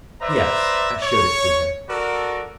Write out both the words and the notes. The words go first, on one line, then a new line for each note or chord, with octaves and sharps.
"Yes; I showed it to him."
B4 C5 D5 E5 A#5
C#5
F#4 A4 A#4 D5